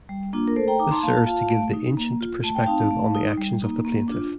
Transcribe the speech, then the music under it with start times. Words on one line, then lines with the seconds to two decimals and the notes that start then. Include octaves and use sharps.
This serves to give the "ancient" perspective on the actions of the plaintiff.
0.09 G3
0.33 A#3 D4 F4
0.48 A#4
0.56 A3 A4 C5
0.68 G5 A#5
0.79 D#4 A#5 D6
0.91 A5 C6
1.03 A#3 F5 A5
1.26 F4 F5 A5
1.50 A3
1.73 D#4
1.97 A#3
2.21 F4
2.44 A3 A5
2.55 G5
2.66 C4 D#4 F5 A5
2.90 A3
3.14 D#4
3.37 G3
3.61 A#3 D#4
3.85 A#3
4.08 D4 F4